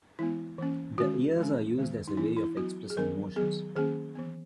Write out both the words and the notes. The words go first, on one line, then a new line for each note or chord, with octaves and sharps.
The ears are used as a way of expressing emotions.
E3 G#3 B3 E4
E3 A#3 C#4
D#3 G#3 C#4 F#4
E3 G#3 C#4
D#3 G#3 B3
D#4
E3 B3 E4
E4
F#3 B3 F#4
G#4
D#3 F#3 B3 A#4
D#3 F#3 B3 G#4
D#3 A#3 C#4 G#4
E3 B3